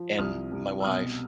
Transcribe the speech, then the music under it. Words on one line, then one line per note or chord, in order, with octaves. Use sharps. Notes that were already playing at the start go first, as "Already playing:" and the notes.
and my wife.
Already playing: F3
C2 D#6 F6
C2
E6
B2 D#6 F6